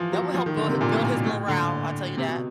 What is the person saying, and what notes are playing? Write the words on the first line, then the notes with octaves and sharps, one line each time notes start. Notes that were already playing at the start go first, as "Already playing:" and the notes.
That will help build build his morale, I'll tell you that.
Already playing: E3 F3
F#3
F3
D#3
D3
C3
A#2
A2
A#2
B2
A2
D3
C3
B2